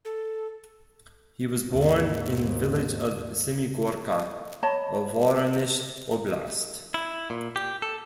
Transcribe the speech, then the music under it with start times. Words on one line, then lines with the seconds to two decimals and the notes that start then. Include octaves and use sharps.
He was born in village of Semigorka, Voronesh Oblast.
0.05 A4
1.69 D#2 G#2
4.63 C#5 D#5 A5 B5
6.94 E4
7.30 A#2
7.56 G4
7.82 A4